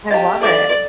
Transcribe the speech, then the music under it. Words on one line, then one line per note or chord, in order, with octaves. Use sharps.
I love it.
G4 D#5 F5 A#5
A4 D5 E5 D6